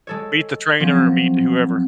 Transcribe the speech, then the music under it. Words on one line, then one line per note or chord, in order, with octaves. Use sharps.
Meet the trainer or meet whoever.
G#3 A4 C#5
F3 F#3 C4 C#4